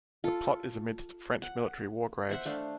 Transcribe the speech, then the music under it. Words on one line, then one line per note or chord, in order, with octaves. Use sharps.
The plot is amidst French military war graves.
F4 A4
F#5
C5 E5 F#5
A3 D4 F5